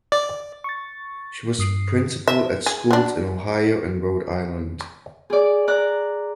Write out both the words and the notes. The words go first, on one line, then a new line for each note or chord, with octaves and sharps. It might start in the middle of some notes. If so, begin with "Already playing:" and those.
She was principal at schools in Ohio and Rhode Island.
D5
C#6 A6
G2 D#6 C7
E5
G#4
F#3 D4
G#4 D5
D5 A#5 F#6